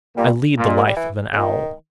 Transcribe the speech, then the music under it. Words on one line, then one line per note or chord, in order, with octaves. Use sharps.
'I lead the life of an owl.'
A#2 G3
A#2
G#3
A#3
G3
E3
C#3
A#2 D#3